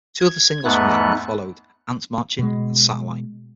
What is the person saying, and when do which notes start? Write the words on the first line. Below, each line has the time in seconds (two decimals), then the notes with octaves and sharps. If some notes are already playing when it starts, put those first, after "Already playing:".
Two other singles from the album followed, "Ants Marching" and "Satellite".
0.20 G#6
0.65 E2 G#2 A3 B3 F#6
2.39 B2 G#3